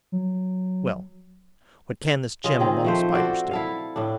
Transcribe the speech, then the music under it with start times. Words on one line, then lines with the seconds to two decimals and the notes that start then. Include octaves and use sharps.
Well, what can this gem among Spiders do?
0.12 F#3
2.44 C#3 F4 D#5
2.60 D#3 C4 G#4
2.84 F3 A3 C5
3.15 F#4 A4 C5 D5
3.51 E4 A4 F5
3.96 A2 D4